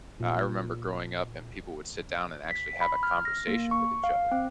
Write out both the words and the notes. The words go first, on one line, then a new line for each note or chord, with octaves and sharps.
uh, I remember growing up and people would sit down and actually have a conversation with each other,
A#2
B6
B5
F6
A#6
A#3
C#6
F5
C4